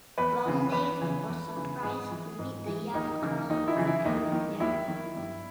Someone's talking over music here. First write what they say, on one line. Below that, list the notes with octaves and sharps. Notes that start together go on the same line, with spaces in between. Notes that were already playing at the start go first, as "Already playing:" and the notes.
Balnaves was surprised to meet the young Earl of Arran there.
E2 B4
C#3 E3
E2 B4
C#3 E3
E2
C#3 E3
G#2 G#4
E3
G#2
E3
D#2 D#4
C#3 E3
D#2 D#4
E4
C#3 E3
E4
D#2 D#4
D#3
D#2 E4
D#3
G2